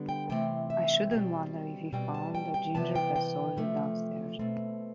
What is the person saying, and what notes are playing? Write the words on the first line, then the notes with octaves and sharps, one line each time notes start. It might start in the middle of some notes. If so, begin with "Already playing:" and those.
I shouldn't wonder if we found a ginger-bread soldier downstairs.
Already playing: D3 G3 B3
G5
C3 E3 A3 C4 G5
E5
B2 G3 C4 G5
B2 G3 C4 G5
A5
G5
G5
C3 E3 B3 A5
G5
G5
C3 F3 A3
B2 A3 C4